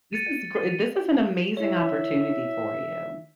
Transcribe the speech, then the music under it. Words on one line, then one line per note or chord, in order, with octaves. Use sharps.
this is gr this is an amazing opportunity for you
A6 C#7 D#7
E4 C#5 E5